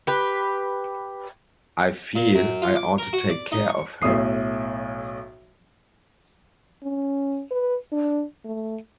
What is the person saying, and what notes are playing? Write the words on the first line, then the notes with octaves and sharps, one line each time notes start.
I feel I ought to take care of her.
G4 B4
A#2
F#2
F4
D6
A#4
F#4
D5
D#4
C#6
B1 A2 E5 D#6 C7
C#4
B4
D4
A3